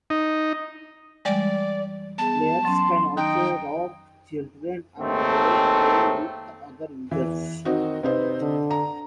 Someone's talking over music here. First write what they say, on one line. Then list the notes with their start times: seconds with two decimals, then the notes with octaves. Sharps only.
Players can also adopt children and roleplay with other users.
0.10 D#4
1.25 E3 G3 G#3 D5
2.18 B3 G#4 A5
2.65 F#3 C#4 C6
3.17 D#3 D#4 G5
5.00 D#2 G#2 A3 C4 A4
7.11 E2 E3
7.65 D#3 C4 D#4 F#4
8.03 C3 D#4 B4 C5
8.41 D3
8.71 A#5